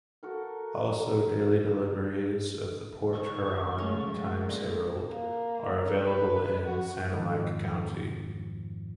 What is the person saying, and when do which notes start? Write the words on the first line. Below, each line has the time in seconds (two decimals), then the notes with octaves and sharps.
Also daily deliveries of the Port Huron Times Herald are available in Sanilac County.
0.23 F#4 A4 A#4
3.13 D#3 C#6
3.78 F3 G#3 A3 C#4
4.49 A#2 D3
5.09 A#3
6.01 B4
6.65 F#4
7.12 F2 G#2 D#3 F3